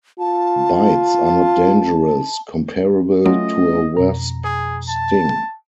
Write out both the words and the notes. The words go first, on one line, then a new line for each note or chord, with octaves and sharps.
Bites are not dangerous; comparable to a wasp sting.
F4 A5
F#3 A3 C#4 F4 D#5
F2 B2 A#5
G#4
A5